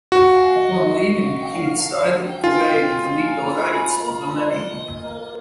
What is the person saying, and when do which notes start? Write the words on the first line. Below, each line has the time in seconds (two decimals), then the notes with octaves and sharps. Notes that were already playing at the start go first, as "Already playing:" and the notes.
Upon leaving he decided to waive the legal rights to the name.
0.12 F#4
2.44 F4